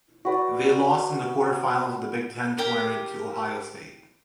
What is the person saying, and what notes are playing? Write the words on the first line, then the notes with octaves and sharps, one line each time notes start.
They lost in the quarterfinals of the Big Ten Tournament to Ohio State.
F#4 B4 D5
G4 A#4